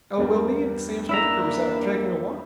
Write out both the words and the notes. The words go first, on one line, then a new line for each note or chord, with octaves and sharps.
Oh, well, me an' Sam Snedecker was out takin' a walk.
E2 G2 G3 A#4
A#3 D4 E4 E5 A#5